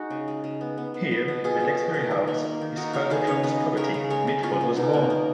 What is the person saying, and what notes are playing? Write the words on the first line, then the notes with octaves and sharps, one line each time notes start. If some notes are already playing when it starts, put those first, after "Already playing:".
Here, at Exbury House, his father John's property, Mitford was born.
Already playing: G#3 D#4 F#4
C#3
G#3
C#3
B3
B3
B3
B3
B2
B2 F4 G#4
B2
B2
B2
D#3
A#3
A#3
D#3
A#3 D#4 F#4
A#3 F#4 A#4
D#3 G#4 B4
D#3 C#5 F5
C#3 B4 D#5
B3
C#3 A#4 C#5
C#3
G#3 A#4 C#5
G#3
G#3 C#4 F4
B3
B2 D#4
A#3
A#3